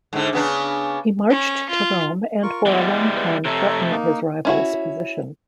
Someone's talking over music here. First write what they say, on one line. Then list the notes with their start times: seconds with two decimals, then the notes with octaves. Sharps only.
He marched to Rome and for a long time threatened his rival's position.
0.13 G#2 D3
0.33 C#3 B3 D4
1.30 C#4
1.69 F4
2.43 F4 A#4 C#6
2.66 E3 G3 G#3 B3 F#5
3.45 C3 A3 A4 C#5 A#5
3.90 A#3 D#4
4.45 C#4 E4 F#4